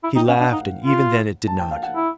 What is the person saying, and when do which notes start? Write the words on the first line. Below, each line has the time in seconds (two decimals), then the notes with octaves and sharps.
He laughed, and even then it did not.
0.04 E4
0.16 D#4 G5
0.28 C#4 F5
0.40 D4 F#5
0.52 D#4
0.84 F4
1.47 A5
1.59 G5
1.71 F5
1.83 F#5
1.95 E4